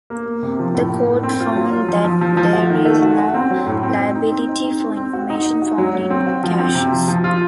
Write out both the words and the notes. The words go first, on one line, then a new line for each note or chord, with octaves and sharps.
The Court found that there is no liability for information found in caches.
A#3
A#3
C3
F3
A2
A#3
A2
C4
F4
F#3
F4
F3
F3
F3
F3
F#4
D#3
A3
F#4
F#4
C4
F#3
A2
C4
C4
D#4
C4
D#4
C4
C4
C4
F#4
D#4
D#4
F#4
F#3
F#3
C4
F#4
F3
C4
C3
F3
F3
F4